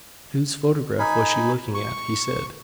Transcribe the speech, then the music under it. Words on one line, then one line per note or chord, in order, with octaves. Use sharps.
"Whose photograph was she looking at?" he said.
D#4 G#5 B5
C#6